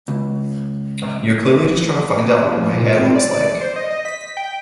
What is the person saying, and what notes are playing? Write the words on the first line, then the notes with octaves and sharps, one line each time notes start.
You're clearly just trying to find out what my hair looks like.
C#2
F3
A#2
C4
D5
D5
C5
D#5
D#5
B6
G5